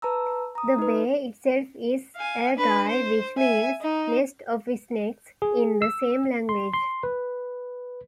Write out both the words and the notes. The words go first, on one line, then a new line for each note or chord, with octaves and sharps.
The bay itself is Allagai, which means "nest of snakes" in the same language.
B4 A5 A#5 E6
A#5 D#6
D#4 B4
F5 G#5
D4 B4
C5
E5 G#5
D#4
G#4
E6
C6
C6
B4